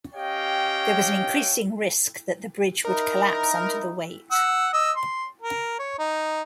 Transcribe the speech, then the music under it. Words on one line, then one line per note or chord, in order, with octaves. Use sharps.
There was an increasing risk that the bridge would collapse under the weight.
C#4 G4 C#5 D#5 F5 G5
D#4 E4 A#4
F#5 E6
D#5 E6
C6
A#4
C#5
D#4